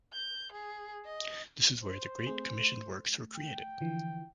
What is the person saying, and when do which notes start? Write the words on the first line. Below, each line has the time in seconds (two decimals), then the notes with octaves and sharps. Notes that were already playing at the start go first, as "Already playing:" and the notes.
This is where the great commissioned works were created.
0.13 G6
0.52 G#4
1.05 D#5
1.83 C5
2.27 A3 C4 G#4
2.59 A3
3.35 G5
3.81 D3 E3 F3